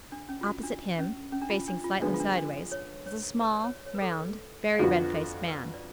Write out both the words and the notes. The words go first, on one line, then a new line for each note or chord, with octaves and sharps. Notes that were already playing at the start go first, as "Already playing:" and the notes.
Opposite him, facing slightly sideways, was a small, round, very red-faced man.
D4
C#4
F4
F#4
D4
C#4
C#4
D4
F4
D4
F4
D3 F3 G#3 B3 D4
F4
D4
D4
C#5
C#5
B4
D5
C#5
C#5
B4
A4
B4
F5
F2 D3 F3 B3 F#4 D5
A4
B4
D5